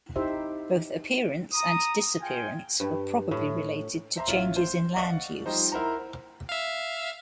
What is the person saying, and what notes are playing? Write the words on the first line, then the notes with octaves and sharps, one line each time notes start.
Both appearance and disappearance were probably related to changes in land use.
D#4 E4 G4 C5 E5
A#5 D#6
F4 G#4 G5 G#5
G2
A2
C5 E5 A#5 C6
A1 C#4 F4 E5 F5
C5
D5 D#5 F5 F#5 C#6
F3 G3 D#4 C5
E4 A#4 C5 F#5 A#5
E5 F5